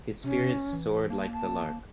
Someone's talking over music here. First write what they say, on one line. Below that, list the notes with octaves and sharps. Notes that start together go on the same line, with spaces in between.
His spirits soared like the lark.
C3 C#4
E3
A#3 A5
A5